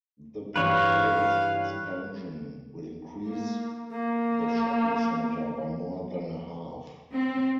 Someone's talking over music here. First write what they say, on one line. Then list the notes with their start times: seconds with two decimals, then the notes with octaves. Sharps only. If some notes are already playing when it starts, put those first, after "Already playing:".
The proposed expansion will increase the shopping centre by more than a half.
0.56 G2 E3 G3 B4 C#5 F5
3.27 A#3
3.91 A#3
7.13 C4